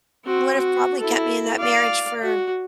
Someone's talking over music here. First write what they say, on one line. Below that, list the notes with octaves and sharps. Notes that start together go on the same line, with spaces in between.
would have probably kept me in that marriage for
C4 F#4
F#4
E4 A4
D5 F5
F#4